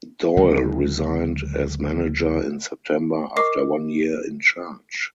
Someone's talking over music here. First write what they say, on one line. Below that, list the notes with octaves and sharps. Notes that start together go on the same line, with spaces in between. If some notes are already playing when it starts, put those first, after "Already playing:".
Doyle resigned as manager in September after one year in charge.
D2 C#3 F#3 G#3
A#4 D#5 C#6 D6 C7